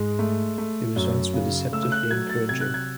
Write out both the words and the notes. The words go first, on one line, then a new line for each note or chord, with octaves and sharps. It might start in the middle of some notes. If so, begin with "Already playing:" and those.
The results were deceptively encouraging.
Already playing: G#2 G#3
A3
A3
F#2
C#3
A3 E6
E6
F#6
F#3 G#6
A6
C3 G#6
F#6
G#6